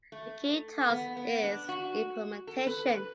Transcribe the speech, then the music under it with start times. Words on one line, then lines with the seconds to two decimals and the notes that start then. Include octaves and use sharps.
The key task is implementation.
0.12 A3
0.90 B3
1.17 B3
1.43 D4
1.69 F#4
2.47 A4
2.67 B4
2.86 B4